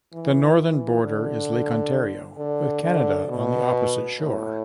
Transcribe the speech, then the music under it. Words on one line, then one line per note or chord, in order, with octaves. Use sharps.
The northern border is Lake Ontario with Canada on the opposite shore.
E3
E3
D3
D3
D3
B2
A2